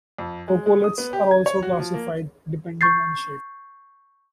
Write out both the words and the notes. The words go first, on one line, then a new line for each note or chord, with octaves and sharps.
Coccoliths are also classified depending on shape.
F2
G#3
G#3
D#6
B3
G4
G#6
C#5
F#4
F3
A#3
C#6 G6 A6 C7